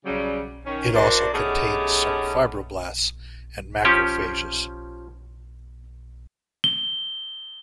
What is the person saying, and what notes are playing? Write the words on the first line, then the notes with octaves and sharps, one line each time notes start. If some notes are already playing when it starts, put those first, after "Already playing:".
It also contains some fibroblasts and macrophages.
C#3 F#3 G3
D#3 C#4
D4 E4 F#4 A#4 C5 D5
A3 B3 C#4 D#4 G4 G#4
F3 C#4 G4
G7